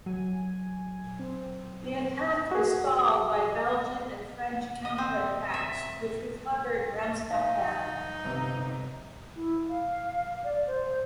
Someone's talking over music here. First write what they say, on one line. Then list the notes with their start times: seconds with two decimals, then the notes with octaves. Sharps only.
The attack was stalled by Belgian and French counter-attacks which recovered Ramskapelle.
0.06 F#3 G#5
1.19 C4
2.51 F#4 G#4
4.85 D#5
4.98 C4
5.54 E5
7.31 D#4 E5 F5
8.24 G1 C3 A#5
9.36 E4
9.69 F5
10.44 D5
10.67 C5